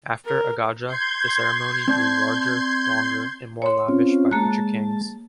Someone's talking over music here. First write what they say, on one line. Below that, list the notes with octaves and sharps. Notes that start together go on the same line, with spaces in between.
After Agaja the ceremony grew larger, longer and more lavish by future kings.
A#4
C6 G6 G#6
C4 D5 A5
C#5 C6
C4 C#4 F4
G#3 A#3 A5 F#6